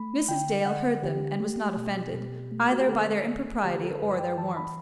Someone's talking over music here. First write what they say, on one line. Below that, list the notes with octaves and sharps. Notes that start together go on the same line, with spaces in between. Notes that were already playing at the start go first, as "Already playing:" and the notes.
Mrs. Dale heard them, and was not offended either by their impropriety or their warmth.
Already playing: A3 B5
D3 G5
D3 F#5
D3 G4
A3
B2
B2
A3
F#4
G4
D3 A4
A3
D3 G4
A4
F#2 B4
G5
E3 A5
B5